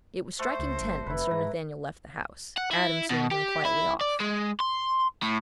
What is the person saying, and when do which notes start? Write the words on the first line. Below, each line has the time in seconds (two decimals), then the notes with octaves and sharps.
It was striking ten when Sir Nathaniel left the house, Adam seeing him quietly off.
0.39 A3 F#4 A4 C5
0.59 C#2
0.81 G1
1.06 F1 E4 B4
1.31 G#2 A#5
2.57 F#5
2.71 E4
3.10 B2
3.32 G4
3.65 E4
4.01 D5
4.20 G#3
4.60 C6
5.22 A2